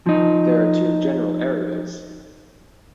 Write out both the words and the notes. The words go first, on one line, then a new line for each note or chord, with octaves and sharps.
There are two general areas.
F3 D#4